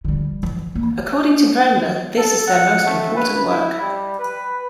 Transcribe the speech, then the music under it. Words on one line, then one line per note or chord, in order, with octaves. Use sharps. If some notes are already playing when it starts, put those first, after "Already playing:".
According to Brenda, this is their most important work.
D3 G3
E3
A#3
A4
F#5
A3
B4
E4
G3
B4